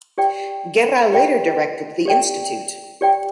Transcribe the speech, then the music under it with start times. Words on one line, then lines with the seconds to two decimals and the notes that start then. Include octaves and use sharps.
Guerra later directed the Institute.
0.18 G4 D5 G5
1.12 G4 D5 G5
2.06 G4 D5 G5
3.01 G4 D5 G5